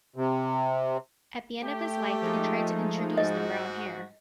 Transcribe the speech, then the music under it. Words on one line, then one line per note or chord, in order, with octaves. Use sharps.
At the end of his life he tried to introduce the brown hare.
C3
A3 G4
F3 G#3 D#4
G#2 F#4 D#5